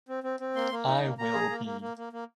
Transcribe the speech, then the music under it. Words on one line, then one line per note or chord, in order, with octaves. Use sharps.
I will be.
C4
C4
C4
A#3 C6
A#3
D#4
A#3
A#3 A#5
G#4
A#3
A#3
A#3
A#3
A#3